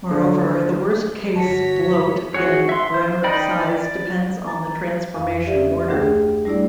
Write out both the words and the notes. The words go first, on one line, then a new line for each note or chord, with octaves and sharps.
Moreover, the worst-case bloat in grammar size depends on the transformation order.
D3
G1 F#4 C#5 A5 B6 C#7
F#4 G#4 C#5
E5 C6
C5
D#4 D5 D#5 G5 B5
D5
A#5 A6
F2 F5 G#5
G4 D5 E5
D2 A3 D4 G#4 G5
G3 A3 D4 E4 F4 D5